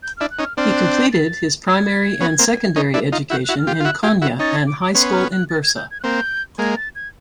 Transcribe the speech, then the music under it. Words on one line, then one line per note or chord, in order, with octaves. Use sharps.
He completed his primary and secondary education in Konya and high school in Bursa.
G6
D4 E4 F6
F#6
C#4 D#4
F6
C4 D4 F6
F#6
G6
A6
G#6
B3 C#4
A#3 C4
C#4 D#4
D4 E4
D#4 F4
E4 F#4 G6
F#6
E4 F#4
F6
F4 G4
G6
F4
E4 F#4 F#6
F4 G4 G#6
E4 F#4
C#4 D#4 A6
G#6
D6
D6
B3 C#4 C6
F6
F#6
A6
G#6
G6
G#6
F#6
A#3 C4 G6
G#3 A#3 G#6
A6
G#6